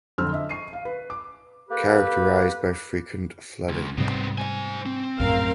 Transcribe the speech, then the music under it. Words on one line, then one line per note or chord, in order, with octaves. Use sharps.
Characterized by frequent flooding.
F2 D3 C4 E6 F6
D#5 E5
C#6 C7 D#7
F5
B4
D6
A#3 G4 A4 B4
C#2
G#2 C3 G3 B3 C4
C5 G#5
C4
A#1 F#2 A2 A#4 F5